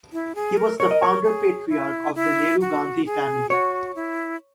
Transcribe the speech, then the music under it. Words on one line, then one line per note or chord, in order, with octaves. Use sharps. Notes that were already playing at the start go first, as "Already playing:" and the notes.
He was the founder patriarch of the Nehru-Gandhi family.
E4
G#4
A#4
A#4 C#5
D#5
C#5
G#4
E4
E4
F#4
G#4
F#4 C#5
E4